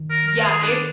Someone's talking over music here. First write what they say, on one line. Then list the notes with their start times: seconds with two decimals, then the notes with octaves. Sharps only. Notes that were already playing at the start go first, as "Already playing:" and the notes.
Yeah, it
Already playing: D#3
0.10 A#4
0.27 A#4
0.44 G#4
0.63 D4